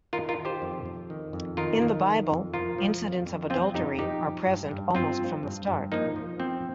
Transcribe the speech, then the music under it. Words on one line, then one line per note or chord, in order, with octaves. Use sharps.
In the Bible, incidents of adultery are present almost from the start.
D#3 F4 A#4
F4 A#4
D#3
G4 C5
F2
F2
D#3
F2
D#3 F4 A#4
D#3
F3
F2
F3 F4 A#4
F3
F2
F2
F3 C4 F4
F2 D#4 G4
F3 D#4 G4
F3
G2
G2
G2 C4 F4
F3
G2
G2
F3 A#3 D#4
F3
F3 C4